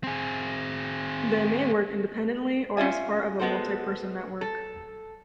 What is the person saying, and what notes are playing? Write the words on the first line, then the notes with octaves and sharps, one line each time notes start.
They may work independently, or as part of a multi-person network.
C4 G#4
C#4 F4 E5 G#5
G#3 B3 F#4 A4 C5
A4